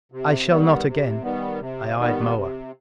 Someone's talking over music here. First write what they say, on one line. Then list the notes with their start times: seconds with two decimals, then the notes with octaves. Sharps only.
"I shall not again." I eyed Moa.
0.12 C3
0.48 D#3 G3 B3
0.86 C3
1.22 D#3 G3 B3
1.60 C3
1.97 D#3 G3 B3
2.34 C3